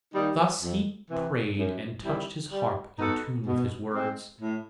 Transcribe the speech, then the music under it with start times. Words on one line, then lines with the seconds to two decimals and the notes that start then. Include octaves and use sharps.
Thus he prayed and touched his harp in tune with his words.
0.13 D#3 G3 A#3 D#4
0.61 F2
1.08 C3 E3
1.56 F#2
2.02 D#3 G3 C4 E4
2.50 G3
2.97 B3 D#4 F#4 A4
3.45 B2
3.92 G#3 C4
4.40 A2